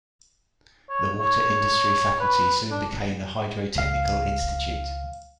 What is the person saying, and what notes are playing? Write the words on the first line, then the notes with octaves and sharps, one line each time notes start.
The water industry faculty soon became the Hydrotechnical institute.
C#5
C#5
B4
D4
C#2 F5